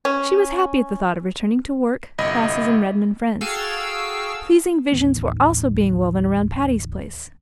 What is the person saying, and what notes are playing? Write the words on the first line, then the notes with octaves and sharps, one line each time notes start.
She was happy at the thought of returning to work, classes and Redmond friends. Pleasing visions were also being woven around Patty's Place.
C#4
G1 C2 D#5 B5
F#4 G#4 A4 F5 G5 E6
D1 A1 D#2 B3